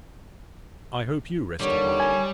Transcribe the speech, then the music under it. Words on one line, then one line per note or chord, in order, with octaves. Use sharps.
I hope you rested well.
D#2 D3 D#3 G3 C#5
G#5